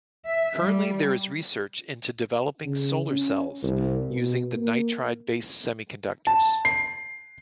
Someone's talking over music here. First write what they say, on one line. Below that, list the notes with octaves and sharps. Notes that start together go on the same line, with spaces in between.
Currently there is research into developing solar cells using the nitride based semiconductors.
E5
G3
C#3
C#4
C2
B2
A#3
A5
C7